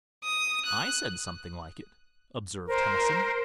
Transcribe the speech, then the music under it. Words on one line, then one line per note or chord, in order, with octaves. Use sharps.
"I said something like it," observed Tennyson.
D#6
F#6
A#4 C5